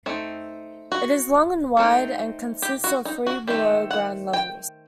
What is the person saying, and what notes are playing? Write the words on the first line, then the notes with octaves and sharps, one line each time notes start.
It is long and wide, and consists of three below-ground levels.
A3 C4 D#4
F#4
A3 C4 D#4
G4
F#4
D#4
F#4
D#3 A3 C4 G4
F#5
G5